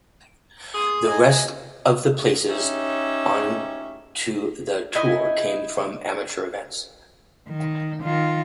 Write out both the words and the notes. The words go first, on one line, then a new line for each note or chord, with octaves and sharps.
The rest of the places on to the tour came from amateur events.
G#4 C6 D#6
D#5 G#5
C#4 D#4 G4 C#5 E5
D#4 E4 D#5 G#5
D#3
D#3 F4